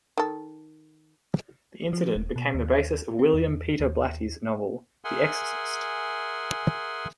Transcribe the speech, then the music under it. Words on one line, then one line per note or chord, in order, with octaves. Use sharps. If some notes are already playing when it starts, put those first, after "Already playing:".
The incident became the basis of William Peter Blatty's novel, "The Exorcist".
D#3 A4
F3
D#1
B2
D#2
C4
E2
D#2
G#4 A#4 E5 F#5 G#5 C6